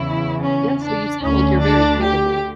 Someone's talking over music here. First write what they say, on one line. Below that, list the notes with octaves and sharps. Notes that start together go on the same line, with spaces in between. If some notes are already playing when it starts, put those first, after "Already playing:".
Yeah, so you sound like you're very capable.
Already playing: E2 C#3 E3 E4
C#4
D4
D2 D3 C#4
D4
G4